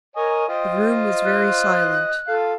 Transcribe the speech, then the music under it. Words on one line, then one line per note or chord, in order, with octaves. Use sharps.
The room was very silent.
A#4 C#5 D#5 G#5
F4 C5 D#5 G5
F#6
F4 A4 F5